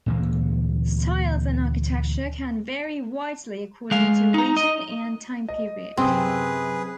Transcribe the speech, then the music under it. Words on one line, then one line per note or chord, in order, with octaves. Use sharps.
Styles and architecture can vary widely according to region and time period.
D2 A#2 E3 A#3
G#3 F5
D#4 A#5
D#5
D#5
F#2 C3 C4 G#4 B4 D#6